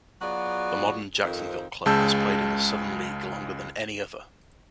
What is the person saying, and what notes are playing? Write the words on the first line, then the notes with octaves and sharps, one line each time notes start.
The modern Jacksonville club has played in the Southern League longer than any other.
F#3 B3 F4 F#4 G#4 D5
F2 D#3 C5
C#2 C#3 G#3 A5 E6 G6